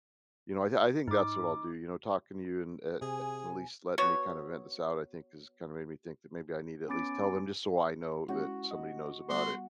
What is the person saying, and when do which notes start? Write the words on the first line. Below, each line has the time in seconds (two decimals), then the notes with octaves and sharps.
you know I I think that's what I'll do, you know. Talking to you, and at at least letting me kind of vent this out, I think, has kind of made me think that maybe I need to at least tell them, just so I know that somebody knows about it
1.08 G#2 D#4 D6
3.01 C3 G#4 G#5
3.98 B3 F#4 C#5
6.88 B3 C#4 B5 D6 A6 D7
8.29 G#3 C#4 E4 F#4
8.71 D#5
9.30 G3 B3 F#4 C6